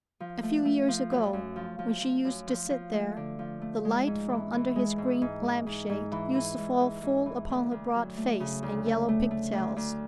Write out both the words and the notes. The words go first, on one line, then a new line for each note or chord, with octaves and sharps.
A few years ago, when she used to sit there, the light from under his green lampshade used to fall full upon her broad face and yellow pigtails.
F3
A3
A3
F3
F#2
F#2
F3
F3
F3
F#2
F3
F3
A3
D3
F3
A3
G#3
G#2
E3
E3
G#3
G#2
G#2
G#3
G#2
G#2
E3
E3
G#2
G#2
G#2
E3
D2
D2
F#3
A3
C#3
D2
A3
A3
A3
D2
D2